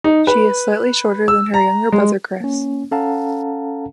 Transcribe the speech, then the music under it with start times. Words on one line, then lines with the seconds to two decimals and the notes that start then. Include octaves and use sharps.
She is slightly shorter than her younger brother Chris.
0.04 D#4
0.27 B4
1.28 E6
1.54 A#5
1.92 G#3
2.40 A#3 C#4
2.92 C#4 A4 F5 F#5 A5 A#5